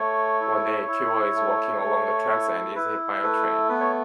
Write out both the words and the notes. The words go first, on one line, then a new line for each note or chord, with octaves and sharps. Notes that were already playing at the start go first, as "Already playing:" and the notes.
One day Ikuo is walking along the tracks and is hit by a train.
Already playing: A3 C#5
E4
E4
A3
A3
E4
E4 B4
A3 B4
B3 B4
C#5